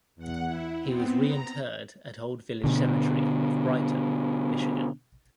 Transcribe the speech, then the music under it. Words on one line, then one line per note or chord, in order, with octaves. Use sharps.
He was reinterred at Old Village Cemetery of Brighton, Michigan.
E2 F#5
E4
B3 C4
A#5
B2 D3